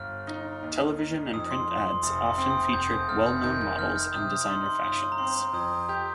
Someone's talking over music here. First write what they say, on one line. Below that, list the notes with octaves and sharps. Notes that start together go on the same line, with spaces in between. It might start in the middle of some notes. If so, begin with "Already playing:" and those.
Television and print ads often featured well-known models and designer fashions.
Already playing: G1 F6
D#4
D#2
D#4
F2 D#6
C6
F2
C6
F1 D#6
C6
C4 C6
D#6
F1 G6
D#6
F1 F6
G6
D#3 G6
G6
D#3 F6
G6
F6
C3 D#6
D#6
D#4 C6
C6
G1 D#6
C6
A#5
C4 C6
C6
F2 D#6
G4 G6